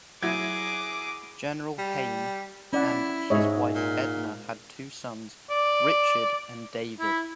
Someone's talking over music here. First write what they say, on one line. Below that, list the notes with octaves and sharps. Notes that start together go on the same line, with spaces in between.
General Heyn and his wife Edna had two sons, Richard and David.
F#3 E4 G#4 D6 G#6
G3
C#4 E4 D5 F#5
G#2 G#4 C#5 D#5 E5
A#2
D5
E4